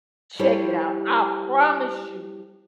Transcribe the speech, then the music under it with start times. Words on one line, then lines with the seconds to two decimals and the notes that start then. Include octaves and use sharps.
Check it out, I promise you
0.39 G3 E4 G4 A4 C5 C#5